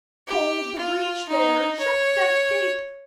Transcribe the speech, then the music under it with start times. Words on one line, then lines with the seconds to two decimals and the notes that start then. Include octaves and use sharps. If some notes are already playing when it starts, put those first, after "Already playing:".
Hold the breach there! Shut that gate!
0.27 G4
0.78 F4
1.28 D#4
1.79 C#5